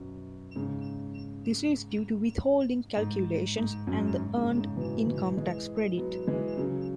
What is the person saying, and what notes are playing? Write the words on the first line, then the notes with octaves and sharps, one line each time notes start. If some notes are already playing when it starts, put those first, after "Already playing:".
This is due to withholding calculations and the earned income tax credit.
Already playing: F#2 B2
G#2 C#3
G#2
G#2
F#2
G#2
G#2 C#3
G#2 C#3
B2 E3
B2 E3
E3 G#3
F#3 B3
E3 G#3
C#3 F#3